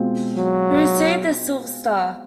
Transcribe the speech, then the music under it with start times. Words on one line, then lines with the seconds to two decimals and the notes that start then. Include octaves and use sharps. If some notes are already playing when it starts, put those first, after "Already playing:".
He received the Silver Star.
Already playing: B2 G#3 C4 F4
0.35 F#3